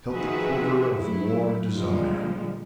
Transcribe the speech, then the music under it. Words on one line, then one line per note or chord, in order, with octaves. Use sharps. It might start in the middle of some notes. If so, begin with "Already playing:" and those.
He felt the quiver of war desire.
D#3 F3 F#4 G#4 B4 E5
F#3 A3 E4
A#2 D3 F3 G3 G#3